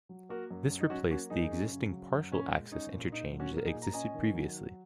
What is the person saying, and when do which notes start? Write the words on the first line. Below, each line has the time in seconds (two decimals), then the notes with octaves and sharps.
This replaced the existing partial access interchange that existed previously.
0.09 F#3
0.29 A#3 F#4 A#4
0.51 F#2
0.70 C#4
0.80 D#4
0.90 F#3 C#4 F#4
1.11 A#3 C#4 F#4
1.30 F#2 D#4 G#4
1.52 C#4
1.71 C#3
1.92 F#3
2.12 F#2
2.31 A#2 C#4
2.52 G#3
2.72 C#4 D#4
2.92 A#2
3.12 A#2 D#4
3.32 F#3
3.40 C#4 F#4
3.53 A#3 A#4
3.66 D#4 G#4
3.73 A#2
3.82 A#5
3.94 C#4 D#5 G#5
4.14 D#3
4.34 F#3